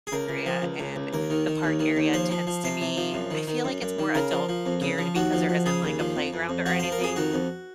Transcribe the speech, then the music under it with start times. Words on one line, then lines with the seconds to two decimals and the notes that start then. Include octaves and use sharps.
area, and the park area tends to be I feel like it's more adult-geared because there isn't, like, a playground or anything,
0.07 G#4
0.12 C#2 A#4
0.29 C#2
0.46 F3
0.62 C#2
0.80 C#2
0.96 C#2
1.13 D#2 A#4
1.30 D#3
1.47 D#3
1.64 D#2
1.80 D#3
1.97 D#2
2.13 F3 C5
2.31 F3
2.47 F3
2.64 C3 C5
2.81 C3
2.97 F3
3.14 F#2
3.31 D#3
3.47 D#3
3.64 F#2
3.82 F#2
3.99 D#3
4.15 C#3 A#4
4.31 F3
4.49 F3
4.66 F2
4.81 C#3
4.98 F3
5.15 D#2 F#4
5.32 F3
5.49 F3
5.66 C#3 G#4
5.83 D#2
5.99 F3
6.16 F2
6.33 F2
6.49 F2
6.66 F3 F#4
6.79 F3 C5
6.92 A#4
7.00 F2 G#4
7.16 D#3 F#4
7.34 F2